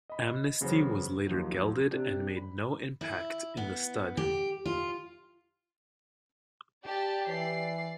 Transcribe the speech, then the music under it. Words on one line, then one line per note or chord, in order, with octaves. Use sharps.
Amnesty was later gelded and made no impact in the stud.
D#5 B5
E2 C#3 F#3 B3 C5
D#2 F3 F#3
C3 D4 G4
B5
E4
B3
G4
F4
G4 D5 A5
E3 D5 C7